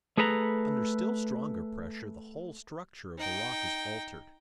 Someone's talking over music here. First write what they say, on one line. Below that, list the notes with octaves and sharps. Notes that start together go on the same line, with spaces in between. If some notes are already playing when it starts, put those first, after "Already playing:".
Under still stronger pressure the whole structure of the rock is altered.
A3 G#4 A4 B4 A5 A#5
D#4 G5